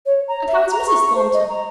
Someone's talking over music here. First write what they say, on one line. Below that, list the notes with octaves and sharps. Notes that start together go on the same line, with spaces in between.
And how is Mrs. Thornton?
C#5
A#5
E5
A#5
C#6
C5
D#5
A#5